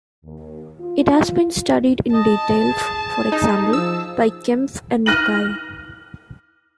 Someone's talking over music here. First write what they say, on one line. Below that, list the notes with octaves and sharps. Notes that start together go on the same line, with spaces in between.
It has been studied in detail, for example by Kempf and Mukai.
D#2
F4
D#5 A5
G#4
D#4
F3 E6
F6 F#6 A#6 D#7 F#7